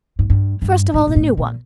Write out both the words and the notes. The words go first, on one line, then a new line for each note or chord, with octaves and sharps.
"First of all, the new one."
G#2
G2
G2
G#2
A#2
A2
A#2